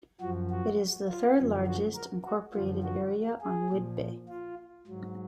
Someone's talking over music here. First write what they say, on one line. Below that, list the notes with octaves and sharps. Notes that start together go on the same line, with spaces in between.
It is the third largest incorporated area on Whidbey.
F#2 F3 F#4
F#4
F4
F#2 D3 F3
F#4
A#4
F#4
F#2 D3 F3 F4
F#4
G#4
A#2 F3
F4
G#2 F#3